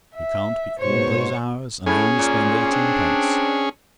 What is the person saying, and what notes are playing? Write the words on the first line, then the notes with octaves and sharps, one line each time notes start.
You can't be all those hours and only spend eighteenpence.
E5
G#2 B2 C5 C#5
A2 C#4 G#4
A#2
C4 D4